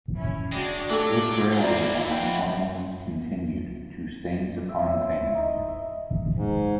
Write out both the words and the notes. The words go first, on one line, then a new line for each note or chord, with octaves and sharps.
This railway line formerly continued to Staines-upon-Thames.
C#4 E4
G#3 D4 F#4 G5
F#3 A3 F4 G4 A4 D6
E3 C4 E4 D5 A#5
F3 F4 F#5 G5 B5
D5
E5
C#4
C5
E4
D#4
D#5
E5
G#2